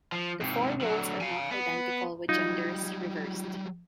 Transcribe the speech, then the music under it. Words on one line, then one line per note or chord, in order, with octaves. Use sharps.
The four roles are not identical with genders reversed.
F3
G#2 C3
D3 F#3
F5 G#5
B3
F#3 G3 D#4 F4 G#6